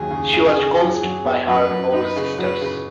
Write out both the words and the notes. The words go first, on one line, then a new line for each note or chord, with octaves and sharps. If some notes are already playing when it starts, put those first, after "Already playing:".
She was coached by her older sisters.
Already playing: D#2 F#3 G#4
C#3
C#3
C#3
F#3
F#3
B3
F#2 B4
F#2
D#4 B4
C#3
F#3 B4
C#3